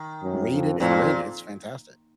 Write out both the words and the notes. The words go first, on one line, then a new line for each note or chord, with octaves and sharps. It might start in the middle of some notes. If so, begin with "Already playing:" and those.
rate it and rate it, it's fantastic.
Already playing: D#3
F#2
F2
F2 A#2